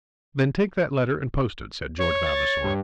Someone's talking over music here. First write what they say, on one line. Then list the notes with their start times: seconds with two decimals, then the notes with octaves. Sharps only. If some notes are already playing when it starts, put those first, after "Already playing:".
"Then take that letter and post it," said George Vavasor.
1.99 C#5
2.26 A6
2.64 G2